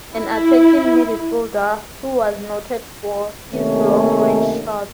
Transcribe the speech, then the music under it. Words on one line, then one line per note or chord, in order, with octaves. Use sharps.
An attacking midfielder, he was noted for his long-range shots.
E4
C3 D#3 A3 A#3 C#4